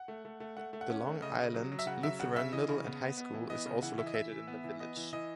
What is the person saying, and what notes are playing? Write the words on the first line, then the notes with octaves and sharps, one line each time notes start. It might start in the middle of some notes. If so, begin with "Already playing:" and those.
The Long Island Lutheran Middle and High School is also located in the village.
Already playing: F#5
A3
A3
A3
A3 F#5
A3
F#5
C#4
A3
C#3 D#5
C#3
F#3
F#3
E5
C#3 F#5
F#3 E5
C#3 F#5
C#3 E5
E3 D#5
C#3
B3
B3
B3
E3
B3 D#5
C#3
E3 F#5
E3 E5
D#5
E3 E5
E3
B3
E3
B3 D#5
E3
E3 D#5